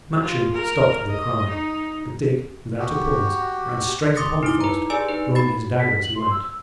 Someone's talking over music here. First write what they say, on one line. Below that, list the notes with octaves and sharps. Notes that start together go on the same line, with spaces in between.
Matcham stopped with a cry; but Dick, without a pause, ran straight upon the forester, drawing his dagger as he went.
F4
A#4
D#5
D#4
F#4 G4
C6 D6 D#6 A6 A#6 C#7
D#4 E4 D6
B4 A#5
G4 G#4 D5 G#5 E6 D7
D#4 B4
F#4 B5 A6
B6
F#7
C6
E6